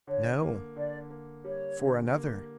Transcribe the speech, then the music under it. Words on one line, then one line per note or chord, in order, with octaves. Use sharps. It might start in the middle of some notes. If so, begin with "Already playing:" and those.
"No; for another."
D3 C#5
A#3
D3 D5
A#3
G3 C#5
D3
A#3